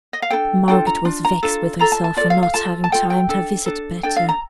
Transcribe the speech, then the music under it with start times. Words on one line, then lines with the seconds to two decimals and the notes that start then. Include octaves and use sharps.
Margaret was vexed with herself for not having timed her visit better.
0.13 D#5
0.22 F5
0.31 D4 F4 A4 G5
0.68 D4 F4 A4 G5
0.87 A#5
1.05 D4 F4
1.25 A#5
1.43 D4 F4 A4
1.79 F4 A4 A#5
1.92 A5
2.04 A5
2.17 F4 A4 D5
2.30 F5
2.43 F5
2.54 F4 A4 A5
2.84 A5
2.92 F4 A4 G5
3.10 G5
3.29 D4 A4
3.66 D4 A4
4.03 D4 A4 G5
4.16 F5
4.29 A#5